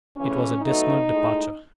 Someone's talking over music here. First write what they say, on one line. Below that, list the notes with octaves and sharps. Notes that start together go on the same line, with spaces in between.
It was a dismal departure.
C#3 E3 A3 C#4
B2 F#3 A3 D#4
A2 G#3